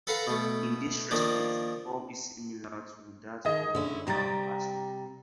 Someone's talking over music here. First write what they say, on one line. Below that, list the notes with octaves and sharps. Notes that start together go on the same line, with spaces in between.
In this respect, the form is similar to that of the rap battle.
A4 B4 F5 F#5 A5 A#5
B2 A3
D#3 F3 A#3 D4
D#3 G#4 D#5
D3 C#4 E4
C3 G3 G5 A#5 A6